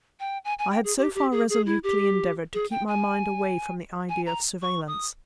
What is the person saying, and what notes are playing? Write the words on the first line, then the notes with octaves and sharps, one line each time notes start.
I had so far resolutely endeavoured to keep my mind away from the idea of surveillance.
G5
G#5
G#5
G5
G#4
G4
G4
G#4
G#4
E4
G4
G#4
G5
G#5
G#5
A#5
C#6
D#6